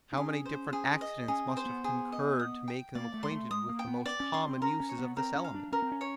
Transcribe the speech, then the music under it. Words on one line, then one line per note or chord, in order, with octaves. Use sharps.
How many different accidents must have concurred to make them acquainted with the most common uses of this element?
D4
C#4 G#4
C5
G#4
D#5
C#4 G#4
C4
C5
B3
G#4
D#5
D#6
G5
A#3 D5
A3
G#3 C6
A3
G#3 D#6
A#3
G5
B3
D5
C#4
C#4 C6
C4
C#4 A#4
C#4
C#5
B3
C4 A#4
C#4
F5
D4
C#4 A#4
C4
C#4
C#5